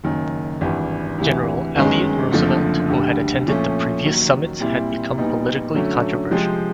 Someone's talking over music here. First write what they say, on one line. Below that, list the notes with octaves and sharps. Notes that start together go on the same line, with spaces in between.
General Elliott Roosevelt, who had attended the previous summits, had become politically controversial.
F#1 F#2 D#3
G#1 G2 E3
D2 C3 E3
G1 F#2 D#3 G#3
F#1 F2 D3 F3 A3
D2 D3 G3
A#2 F3 A3 C#4
D#2 D#3 F#3
A#2 G3 C4 E4
A#1 A#2 G3 B3 D#4
D3 F#3 A3 C#4
C3 F3 G#3 C4